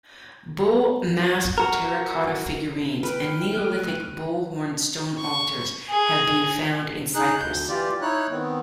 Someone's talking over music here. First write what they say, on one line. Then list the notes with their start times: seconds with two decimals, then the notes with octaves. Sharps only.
Bull-masked terracotta figurines and Neolithic bull-horned stone altars have been found in Cyprus.
1.58 F#4 A#4
3.03 B4 G5 F6
3.57 A3 F#6 D#7
5.18 C#6
5.89 G#4
7.15 D#4 G#4 F#6
7.38 D2 G6
7.69 E3 F4 G4 D5
8.01 D#4 E4 C#5 F#6
8.31 D#3 B3 C4